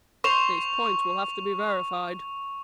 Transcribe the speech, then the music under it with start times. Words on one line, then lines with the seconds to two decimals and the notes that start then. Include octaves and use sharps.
"These points will have to be verified."
0.24 C5 C#6 F7